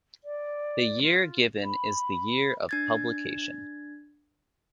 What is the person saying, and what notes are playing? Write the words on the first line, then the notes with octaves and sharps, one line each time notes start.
The year given is the year of publication.
D5
F4
B5
D4 G#6 A6